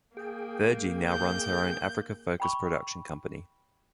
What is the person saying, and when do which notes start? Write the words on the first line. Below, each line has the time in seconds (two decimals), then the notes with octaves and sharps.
Verjee now runs her own Africa focused production company.
0.17 A#3 G#4 G5
1.09 G6
2.40 G5 B5 C#6